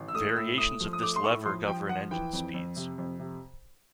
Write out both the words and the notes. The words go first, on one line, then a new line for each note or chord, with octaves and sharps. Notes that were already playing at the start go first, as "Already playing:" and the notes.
Variations of this lever govern engine speeds.
Already playing: A1
E6
A3 D#6
A2 E6
A3 D#6
F3
D#6
A3 D6
C6
A2 C#6
F3 C6
F3 G5
F3 F#5
E3 G5
F2
F2
C3
F2
C3